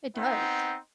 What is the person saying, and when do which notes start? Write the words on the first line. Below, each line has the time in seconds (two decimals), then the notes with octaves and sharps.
It does.
0.17 B3 C4 D#4